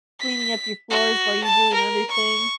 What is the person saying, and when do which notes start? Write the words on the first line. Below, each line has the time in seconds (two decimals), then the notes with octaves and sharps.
cleaning up your floors while you're doing other things.
0.21 B6
0.90 F#4
1.45 A5
1.74 A#4
2.11 C#6